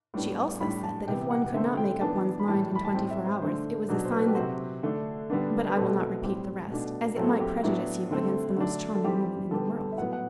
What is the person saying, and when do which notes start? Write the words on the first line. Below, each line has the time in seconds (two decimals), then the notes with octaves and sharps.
She also said that if one could not make up one's mind in twenty-four hours it was a sign that--but I will not repeat the rest, as it might prejudice you against the most charming woman in the world.
0.14 A2 G3 B3 D4
0.60 A2 G3 D4 B5
0.83 A5
1.07 C3 E3 B3 G5
1.31 F#5
1.54 D3 A3 C4 E5
1.77 G5
2.01 E3 B3 D4 A5
2.39 B5
2.48 A2 E3 G3 A5
2.75 B5
2.85 A5
2.94 A2 G3 C4 G5
3.11 E5
3.26 C5
3.41 D3 A3 D4 C5
3.89 B2 F#3 B3 D4
4.05 C5
4.12 B4
4.21 A4
4.28 G4
4.35 C3 F#3 C4 F#4
4.83 D3 A3 D4
5.30 D3 G3 B3 D4
5.69 B4
5.76 B2 A3 C4 A4
6.23 A2 G3 C4 G4
6.70 B2 A3 D4
7.16 A2 F#3 A3 C4 A4
7.40 G4
7.63 A2 F#3 B3 D4 E4
8.11 D3 A3 C4
8.57 D3 F#3 A3 D4
8.94 A4
9.04 E3 G3 C4 G4
9.51 D3 G3 B3 A4
9.75 A4
9.92 E5
9.98 A2 F#3 B3 F#5
10.13 F#5